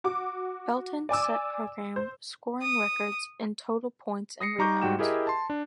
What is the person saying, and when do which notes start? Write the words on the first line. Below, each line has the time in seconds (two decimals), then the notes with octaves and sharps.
Belton set program scoring records in total points and rebounds.
0.04 F#4 D6
1.09 D5 G#5 D6 E6
1.96 C5
2.62 D#6
4.41 D#6 A#6 C7 C#7
4.59 G3 D#4 A#5 C#6 D6 G6
4.82 G#2 G3 F#4 G5 E7
4.99 E4 G4 G#4 A#4 D#5 E5
5.27 A5 C6
5.50 D4